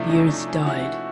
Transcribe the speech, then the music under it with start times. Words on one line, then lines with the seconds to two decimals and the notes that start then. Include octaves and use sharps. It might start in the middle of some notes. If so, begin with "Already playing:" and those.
Beers died.
Already playing: C3 F3 A3 D4 E4
0.09 C#4 D#4
0.29 D4
0.48 C#4
0.66 E4 F#4